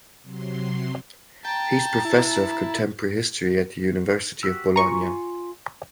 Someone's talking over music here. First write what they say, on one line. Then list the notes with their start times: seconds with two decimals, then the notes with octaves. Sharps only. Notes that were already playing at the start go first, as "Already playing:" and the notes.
He is professor of contemporary history at the University of Bologna.
0.22 C3 F#3 C6
1.45 G5 A5 A#5
2.05 E4
4.43 F#4 G4 E6
4.76 F4 G#5 A#5 C#6